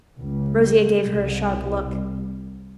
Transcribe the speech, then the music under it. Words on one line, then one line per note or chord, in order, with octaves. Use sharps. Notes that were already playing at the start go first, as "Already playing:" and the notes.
Rosier gave her a sharp look.
C#2
C2